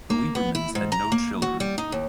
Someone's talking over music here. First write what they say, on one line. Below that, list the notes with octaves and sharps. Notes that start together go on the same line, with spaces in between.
The Liebermans had no children.
A#3
B3
E4
G#2
A#5
A#3
F#4
G3
D#4
D#2